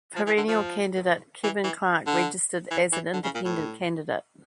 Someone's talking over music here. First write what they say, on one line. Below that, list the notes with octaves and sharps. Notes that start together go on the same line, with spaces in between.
Perennial candidate Kevin Clarke registered as an Independent candidate.
F3
E3
D3
F3
E3
E3
D3
E3
E3
D3
C#3
A#2
A2